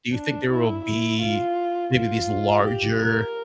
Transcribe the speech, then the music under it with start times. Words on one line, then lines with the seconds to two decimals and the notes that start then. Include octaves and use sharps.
do you think there will be maybe these larger
0.14 D4
0.50 E4
0.85 E4
1.21 F4
1.94 F4
2.65 G4
3.02 A#4